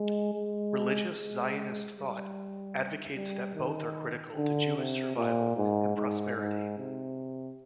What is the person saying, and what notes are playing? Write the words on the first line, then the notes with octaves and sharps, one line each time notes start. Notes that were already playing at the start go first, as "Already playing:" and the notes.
Religious Zionist thought advocates that both are critical to Jewish survival and prosperity.
Already playing: G#3
G#3
G#3
G3
G3
D#3
D3
C3
A#2
G#2
G#2
G#2
C3